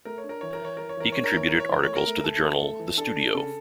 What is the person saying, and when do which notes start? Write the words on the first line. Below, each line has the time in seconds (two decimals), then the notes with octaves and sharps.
He contributed articles to the journal The Studio.
0.05 A3 A#4
0.18 C#5
0.24 D4
0.29 A#4
0.41 E3 C#5
0.53 A#4
0.61 E3 C#5
0.77 E3 A#4
0.89 C#5
0.97 E3 A#4
1.12 D4 C#5
1.24 A#4
1.33 E3 C#5
1.48 E3 A#4
1.60 C#5
1.69 E3 A#4
1.83 A3 C#5
1.96 A#4
2.07 A3
2.24 A3 A4
2.42 A3
2.62 A3
2.79 E3
2.97 D4 A4
3.16 D4
3.34 C#3 A4